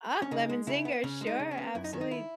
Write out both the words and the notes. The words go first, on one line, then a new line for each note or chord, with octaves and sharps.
Ah, lemon zinger, sure, absolutely.
C#4
C#3 D#4
G#3
C#3 E4
B3
C#3 C#4
G#3
D#4
C#3
C#4
B3
F#2 E4
D#4
D#3 C#4
D#4
E4